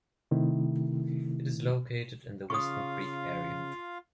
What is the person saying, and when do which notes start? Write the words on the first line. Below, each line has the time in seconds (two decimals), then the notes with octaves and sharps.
It is located in the Weston Creek area.
0.31 C3 D#3 A3 E4
2.50 C#3 F4 F5 C#6 D#6